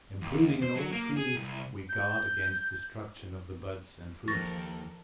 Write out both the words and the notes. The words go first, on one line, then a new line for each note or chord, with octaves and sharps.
In pruning an old tree, we guard against destruction of the buds and fruit.
D#2
C5
F#3
A#3
G#4
C2
G6
D#2 F3 A4 A#4 C#6 A6 A#6